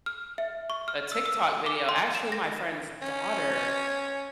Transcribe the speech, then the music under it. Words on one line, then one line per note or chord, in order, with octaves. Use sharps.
a TikTok video actually, my friend's daughter,
F6
E5
C#6
F6
E6
E6
D6
C6
E7
A#6
C#4